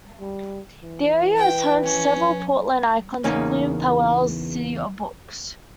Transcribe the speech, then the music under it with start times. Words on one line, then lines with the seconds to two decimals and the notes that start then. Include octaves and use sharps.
The area is home to several Portland icons, including Powell's City of Books.
0.20 G3
0.82 E3
1.37 B4 G5
1.84 C#4
3.24 E2 C#3 A#3 C#4 D#4